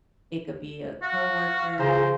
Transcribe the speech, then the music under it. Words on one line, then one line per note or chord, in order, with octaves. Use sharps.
It could be a coworker,
F#4 F5
C#3 F4 G#4 C5 A#5